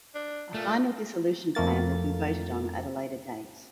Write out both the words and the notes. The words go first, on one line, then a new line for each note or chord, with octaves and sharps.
A final dissolution plan will be voted on at a later date.
D4
A#2 A3
F2 A3 A#3 A6